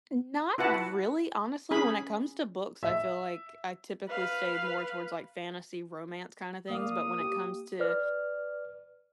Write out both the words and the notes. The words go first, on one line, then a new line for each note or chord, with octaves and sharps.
not really. Honestly, when it comes to books I feel like I typically stay more towards like fantasy romance kinda things, but when it comes to
E4 F#4 B4 F#5 A5
C#4 G#4 B5
E5
B4 F5
A#3 D5 F5 D#6
G4
B4 D5 F6